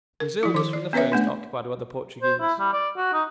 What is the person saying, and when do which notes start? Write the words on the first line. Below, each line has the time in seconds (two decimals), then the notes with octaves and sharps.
Brazil was from the first occupied by the Portuguese.
0.20 A#4
0.43 F3 E4
0.54 D#3 D6
0.73 D5
0.93 B3 C#4 B4 C#5 E5
1.12 A3 B3 D4
2.23 C5
2.41 E4
2.59 G3
2.73 D5
2.97 F#4
3.13 D#4